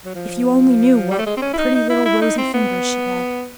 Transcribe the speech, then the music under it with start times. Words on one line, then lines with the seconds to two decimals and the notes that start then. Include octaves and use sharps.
If you only knew what pretty little rosy fingers she had!
0.05 F#3
0.14 F3
1.11 G3
1.19 A3
1.26 G#3
1.37 C4
1.42 C#4
1.53 E4
1.58 D#4
1.75 D#4
1.90 E4
2.05 E4
2.22 D#4
2.38 C4
2.53 B3